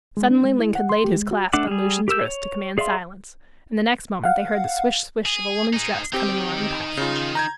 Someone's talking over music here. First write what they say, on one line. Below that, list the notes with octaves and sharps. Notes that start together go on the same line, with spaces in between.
Suddenly Link had laid his clasp on Lucian's wrist to command silence, and the next moment they heard the swish-swish of a woman's dress coming along the passage.
G#3
D4
G#3
E4
F#5
C6
G4
G#3
F#4
A3 D4 F#5 D6
G3 G#4
G4 A#4 E6 G6
C#5
G#4 D5 E5 F5 C6
F5 F#5
G#4
D#4 G#4
C4 D#4 G4 G5
C#3 F4
A#5 G6 G#6